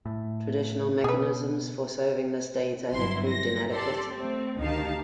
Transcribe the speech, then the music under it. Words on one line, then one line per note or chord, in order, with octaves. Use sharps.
Traditional mechanisms for serving this data have proved inadequate.
A2
B2 G#4 B4
G1 F#3 E4 C6
A#6
G4 A4 D5 C6
A3 C4
D2 D#3 D#4 G4 F5 A5